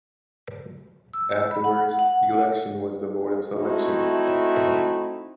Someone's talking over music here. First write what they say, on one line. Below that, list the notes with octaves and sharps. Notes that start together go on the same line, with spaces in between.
Afterwards, election was the mode of selection.
E6
B5
F#5
F#5
A3 C4 D#4 E4 F#4